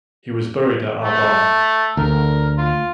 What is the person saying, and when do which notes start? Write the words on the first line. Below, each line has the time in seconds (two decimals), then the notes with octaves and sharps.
He was buried at Arbonne.
1.03 A3
1.97 D2 A#4
2.58 F4